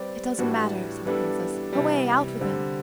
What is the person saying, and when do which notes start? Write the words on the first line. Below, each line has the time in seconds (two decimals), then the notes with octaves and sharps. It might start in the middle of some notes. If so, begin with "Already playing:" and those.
'It doesn't matter!' said the Princess. 'Away! out with him!'
Already playing: G3 C4 G4 B4 D5
0.38 A2 E3 G3 D4 F#4
1.06 E3 G3 B3 D4 A4
1.73 C3 E3 G3
2.40 D3 G3 C4